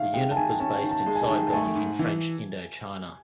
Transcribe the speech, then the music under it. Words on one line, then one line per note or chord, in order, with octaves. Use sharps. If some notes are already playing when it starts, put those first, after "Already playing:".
The unit was based in Saigon in French Indochina.
Already playing: D#3 E5 F5
G#3 G5
A5
D#3 G#5
C#4 A5
D#3
A5
G#3
G#5
A5
D#3
A5
A3 G#5
G#2
E3